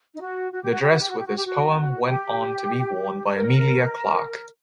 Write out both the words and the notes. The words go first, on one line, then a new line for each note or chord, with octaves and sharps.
The dress with his poem went on to be worn by Emilia Clarke.
D#4
F#4
F#4
G4
F#4
G4
F#4
G4
F#4
G4
F#4
G4
F#4
F#4
G4
A#4